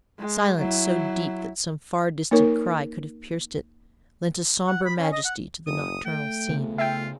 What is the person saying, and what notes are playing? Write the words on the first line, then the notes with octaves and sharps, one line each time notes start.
Silence so deep that some far-distant cry could have pierced it, lent a sombre majesty to the nocturnal scene.
G#3
F#3 E4
A#3 D#4 A#4 C#5
F#5
B5
C#4
D#5
F#5
F#1 D#6
A3 G5
C#3 B3
F4 E5 G5